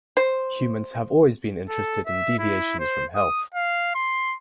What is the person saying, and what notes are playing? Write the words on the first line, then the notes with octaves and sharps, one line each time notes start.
Humans have always been interested in deviations from health.
C5
A4
E5
E4
C5
D#6
F5
C6